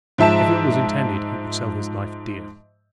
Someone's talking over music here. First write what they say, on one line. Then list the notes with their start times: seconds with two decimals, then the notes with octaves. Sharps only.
If ill was intended, he would sell his life dear.
0.18 G#2 F3 E5 A5 E7